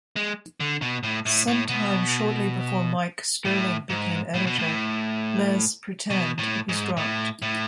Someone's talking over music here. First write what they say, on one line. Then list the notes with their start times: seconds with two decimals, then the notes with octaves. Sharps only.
Sometime shortly before Mike Stirling became editor, Les Pretend was dropped.
0.16 G#3
0.60 D3
0.82 B2
1.03 A2
1.26 A2
1.48 A2
1.69 B2
3.45 A2
3.90 G#2
4.34 A2
4.47 B2
4.59 A2
6.10 B2
6.39 A2
6.69 G#2
6.97 A2
7.42 A2